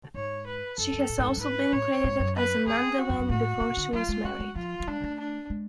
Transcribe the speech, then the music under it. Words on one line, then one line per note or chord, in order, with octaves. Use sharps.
She has also been credited as Amanda Winn, before she was married.
G#2 C#5
B4
F#2 A4
F#2
A2
G#2
F#2
G#2 B4
A2 C#5
G#2
F#2
B4
F2 G#4
F#4
F#2
F#2
A2 F#4
B2
D3
F#3 F4
G#3
G#3 F#4
G#3
F3 F4
F#3
G#3 D4
A3
D4
G#3